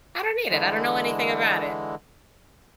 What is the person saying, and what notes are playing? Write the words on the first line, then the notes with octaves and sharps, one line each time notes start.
I don't need it, I don't know anything about it.
D3 E3 G#3